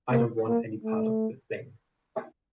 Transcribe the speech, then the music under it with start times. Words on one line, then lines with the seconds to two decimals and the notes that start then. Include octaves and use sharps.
I don't want any part of this thing.
0.11 A#3
0.47 A#3
0.84 A3